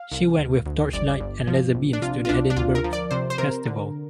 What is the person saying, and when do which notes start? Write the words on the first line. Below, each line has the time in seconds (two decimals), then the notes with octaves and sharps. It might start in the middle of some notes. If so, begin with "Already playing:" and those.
She went with Torchlight and Laser Beams to the Edinburgh Festival.
Already playing: F5
0.12 C2
0.38 D2
0.66 D2
0.93 G1 D5
1.20 G1
1.48 F3
1.75 A#1
1.93 D4
2.02 C3 F4
2.25 F4
2.29 C2 D4
2.50 D4
2.57 D2 F4
2.75 A#4
2.84 F3
2.93 D5
3.11 C3 C5
3.30 C5
3.38 C3 A#4
3.65 D3